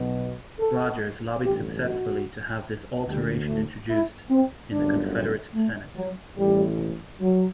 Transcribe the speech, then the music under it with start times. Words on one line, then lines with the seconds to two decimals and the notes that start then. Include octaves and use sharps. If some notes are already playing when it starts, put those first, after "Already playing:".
Rogers lobbied successfully to have this alteration introduced in the Confederate Senate.
Already playing: B1 B2
0.60 A4
1.42 A1 G2 D3 G4
1.84 F#4
3.07 D2 D3 G3
3.48 A3
3.90 E4
4.31 C4
4.72 G1 F#2 D3 D4
5.54 A3
5.96 F#3
6.37 A1 A2 E3 G3
7.20 F#3